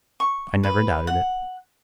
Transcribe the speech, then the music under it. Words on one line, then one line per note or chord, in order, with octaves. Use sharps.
"I never doubted it."
C#6
B4
F#5